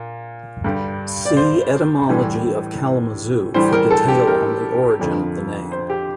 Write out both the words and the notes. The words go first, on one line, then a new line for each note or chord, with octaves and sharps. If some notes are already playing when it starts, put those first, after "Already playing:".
"See," Etymology of Kalamazoo for detail on the origin of the name.
Already playing: A#2
G2 D3 G3
D5
C5
A2 E3 G3
A2 E3 G3 C5
A#4
A4
G4
A#4
F2 D3 F3
C5
G4